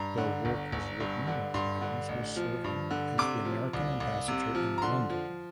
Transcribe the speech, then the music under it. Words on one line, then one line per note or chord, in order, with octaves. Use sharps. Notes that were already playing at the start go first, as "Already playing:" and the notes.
The work was written while Adams was serving as the American ambassador in London.
Already playing: G2 A#5
D3
G1
G1
G2
D3
G2 C6
D3
A1
F3
G2
D3
C3 D6
F3
C2
C2
C3
F3
A#5
D3 C6
F3